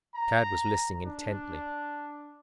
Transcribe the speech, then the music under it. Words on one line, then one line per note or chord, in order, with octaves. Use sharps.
Tad was listening intently.
A#5
D4